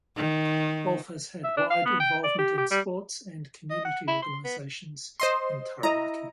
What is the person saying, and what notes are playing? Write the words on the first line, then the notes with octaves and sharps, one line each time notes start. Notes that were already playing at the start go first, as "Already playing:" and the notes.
Wolfe has had wide involvement in sports and community organisations in Taranaki.
D#3
E5
D4
F5
B3
G5
D5
G4
G4
G3
D#5
F#5
E4
C6
B3
C5 D#5 C6
E4 D#5 A#5